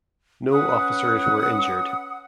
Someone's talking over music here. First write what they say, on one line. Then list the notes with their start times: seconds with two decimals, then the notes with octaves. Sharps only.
No officers were injured.
0.52 C#4 B4 F#5 D#6